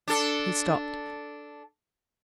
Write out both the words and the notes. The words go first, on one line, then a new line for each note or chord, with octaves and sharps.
He stopped.
D4 A4